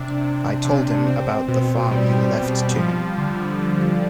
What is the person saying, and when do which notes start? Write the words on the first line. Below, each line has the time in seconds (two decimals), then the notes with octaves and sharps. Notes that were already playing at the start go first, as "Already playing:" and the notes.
I told him about the farm you left to him.
Already playing: C3 D4
0.21 C3
0.65 C3
1.07 C4
1.48 B2
1.91 G3
2.34 G3
2.77 F3
3.18 D3
3.61 D3